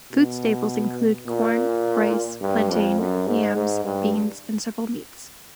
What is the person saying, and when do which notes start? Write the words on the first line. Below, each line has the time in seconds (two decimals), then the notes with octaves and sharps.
Food staples include corn, rice, plantain, yams, beans and several meats.
0.13 B2
1.26 A#2
2.41 G2
2.69 F2
2.98 F#2
3.27 G#2
3.55 G#2
3.84 G2